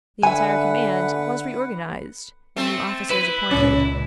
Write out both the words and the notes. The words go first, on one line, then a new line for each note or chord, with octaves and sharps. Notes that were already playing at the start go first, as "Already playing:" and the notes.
The entire command was reorganized, and new officers appointed.
D3 B4 E5 F#5 G#5
A3 C4
E4 B4
C#2 A#2 C#4